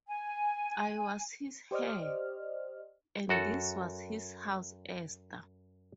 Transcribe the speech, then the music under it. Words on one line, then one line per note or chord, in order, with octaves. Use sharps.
I was his heir, and this was his house, Esther.
G#5
G4 C5 D5 D#5 F6
F#2 F#4 A4